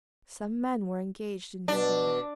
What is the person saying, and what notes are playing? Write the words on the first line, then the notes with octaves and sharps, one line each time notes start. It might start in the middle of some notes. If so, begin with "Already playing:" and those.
Some men were engaged in drinking there.
B2 D4